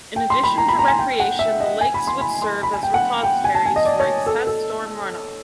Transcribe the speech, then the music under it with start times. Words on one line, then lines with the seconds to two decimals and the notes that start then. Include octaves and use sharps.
In addition to recreation, the lakes would serve as repositories for excess storm runoff.
0.16 G5
0.30 C6
0.44 B5
0.58 A#5
0.68 B5
0.79 A#5
0.88 G#5
0.99 G5
1.20 F#5
1.39 E5
1.60 D#5
1.81 G#5
1.94 B5
2.07 C6
2.21 B5
2.42 C6
2.63 B5
2.73 G#5
2.83 G5
2.94 F#5
3.24 G5
3.44 G#5
3.55 A5
3.66 G#5
3.76 D#5
3.86 D5
4.00 C#5
4.26 A4
4.47 A4